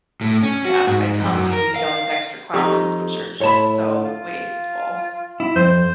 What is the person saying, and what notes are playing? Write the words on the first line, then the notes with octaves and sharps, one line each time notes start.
yeah, by telling you you need all these extra classes, which are just so wasteful.
A2
C#4
F#4
G#2
F2
F#2
A#4
F5
F2 D#4 G4 D#6
A2 C#5 A5 B5
F4
E4
F2 C5